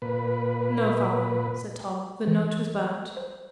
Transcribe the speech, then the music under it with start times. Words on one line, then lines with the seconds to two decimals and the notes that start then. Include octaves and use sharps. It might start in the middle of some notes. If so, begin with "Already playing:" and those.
"No, father," said Tom; "the note was burnt."
0.02 A#2 B4
2.27 E3
3.17 C5